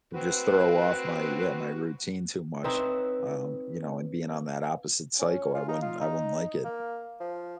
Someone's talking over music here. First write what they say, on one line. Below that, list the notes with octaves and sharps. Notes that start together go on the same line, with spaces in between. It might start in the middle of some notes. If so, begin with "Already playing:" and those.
Just throw off my, yeah, my routine too much, um, you know, and being on that opposite cycle, I wouldn't I wouldn't like it.
C4 F#4 B4
C4 D#4 B4 C#5 E5
C#4
F4
D#4
F4
D#4
A#3
F3